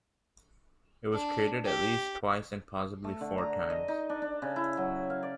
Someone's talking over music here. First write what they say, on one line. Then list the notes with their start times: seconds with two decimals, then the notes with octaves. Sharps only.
It was created at least twice and possibly four times.
1.13 D4
1.65 G4
3.04 A3
3.21 D3
3.38 A#5
3.70 D#5
3.88 D#4
4.09 D4
4.22 D4
4.42 C#3
4.56 E4
4.77 F#3
5.10 F5
5.23 D5